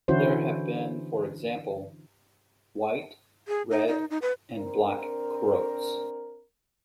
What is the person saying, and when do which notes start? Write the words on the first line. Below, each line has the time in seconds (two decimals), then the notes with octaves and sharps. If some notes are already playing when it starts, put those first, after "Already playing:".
There have been, for example, White, Red and Black Croats.
0.08 D3 E3 C#4 E4 F#4 C5
3.48 G#4
3.71 D#4
3.87 D#4
4.10 D#4
4.22 B4
4.56 C4 D4 A#4